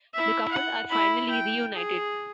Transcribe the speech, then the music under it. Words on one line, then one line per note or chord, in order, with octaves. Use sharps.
The couple are finally reunited.
E4 E5
F#5
E4 B5
G5
G#4